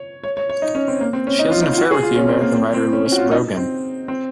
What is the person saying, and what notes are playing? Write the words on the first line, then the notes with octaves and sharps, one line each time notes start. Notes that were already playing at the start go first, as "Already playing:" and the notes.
She has an affair with the American writer Lewis Brogan.
Already playing: C#5
C#5
C#5
C#5
D#4
C#4
C4
A#3
C4
C#4
D#4
F4
D#4
F4
F#4
G#4
F4
C#4
C4
A#3
C4
C4
C#4
C#4
F#4
F4
C#4
D#4
C4
C4